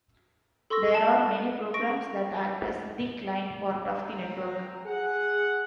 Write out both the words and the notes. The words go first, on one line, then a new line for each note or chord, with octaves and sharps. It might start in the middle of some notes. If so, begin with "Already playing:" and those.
There are many programs that act as the client part of the network.
A4 C6 C#6 E6 A#6
A5
C#6 A#6 D7
C4 A#5
G#4 F#5